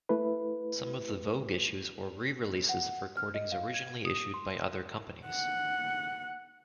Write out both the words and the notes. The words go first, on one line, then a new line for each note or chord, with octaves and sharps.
Some of the Vogue issues were re-releases of recordings originally issued by other companies.
A3 E4 B4
F#5
F6
D#5
F5
G#6
D#6
C6
F#5